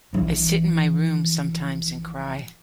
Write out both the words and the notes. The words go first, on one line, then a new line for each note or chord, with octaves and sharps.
I sit in my room sometimes and cry.
A#1 E3